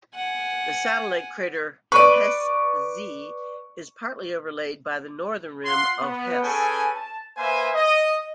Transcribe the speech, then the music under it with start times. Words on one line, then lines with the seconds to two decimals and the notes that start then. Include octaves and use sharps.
The satellite crater Hess Z is partly overlaid by the northern rim of Hess.
0.15 F#5 G#5
1.92 B4 D5 C#6
5.66 F4 F#5 C6
5.99 B3
6.42 C#4 G#4 A4 B4 G5 G#5
6.94 A5
7.38 A#3 B4 C5 E5 G#5
7.74 D#5